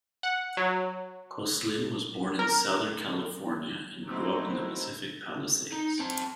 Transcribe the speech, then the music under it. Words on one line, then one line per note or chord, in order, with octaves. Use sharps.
Kosslyn was born in Southern California, and grew up in the Pacific Palisades.
F#5
F#3
A#4
F#3 A3 A#3 C4 D#4 E4
D#4
C4 A5